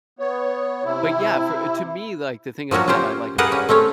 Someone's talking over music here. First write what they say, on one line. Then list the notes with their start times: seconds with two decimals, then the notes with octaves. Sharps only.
but, yeah, for to me, like, the thing ab that I like about,
0.19 B3 C#5
0.84 C3 E4
2.71 F3 F#3 A#3 C#4 F#4
2.88 C#4 F4 G4 C5
3.38 G4 G#4 A#4 B4 F#5
3.52 C#4
3.69 A3 C4 C#4 C#5